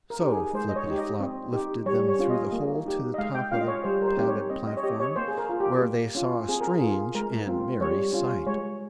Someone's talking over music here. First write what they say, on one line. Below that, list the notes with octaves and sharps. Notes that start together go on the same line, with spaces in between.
So Flippityflop lifted them through the hole to the top of the padded platform, where they saw a strange and merry sight.
A#4
D#4 G4
G#4
G#3 C5
D#5
C#5
D#4 G4
D#5
C4
D#4 G4
G3 C#5
C#5
C#4 F4
D#5
A#3
D#4 G4
D#5
G#3 F5
G5
C#4 F4 F5
D#5
C#5
G3 C5
A#4
C5
C4 D#4 G4
C#5
C4 D#5
D#5
C#5
G4 D#5
C#5
A#3 C5
G#4
A#4
F4
G4
A#3
C#4 F4
C4 G#4
A#4
G#4
F4
G#3 A#4
C4 F4
G3 C#5
C#4 F4
G#3 C#5